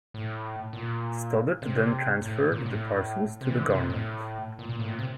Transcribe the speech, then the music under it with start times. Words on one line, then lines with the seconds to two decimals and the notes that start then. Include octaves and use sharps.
Stoddert then transferred the parcels to the government.
0.14 A2
0.73 A#2
1.62 C3
2.22 A2
2.52 A#2
2.66 A2
3.41 C3
3.50 E3
3.60 D3
3.70 C3
3.80 A#2
3.90 A2
4.59 A#2
4.69 A#2
4.79 A2
4.88 A#2
4.99 C3